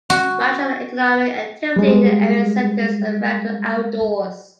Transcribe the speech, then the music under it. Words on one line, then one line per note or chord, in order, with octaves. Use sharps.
Much of the economic activity in the area centers around the outdoors.
F#4
G3 G#3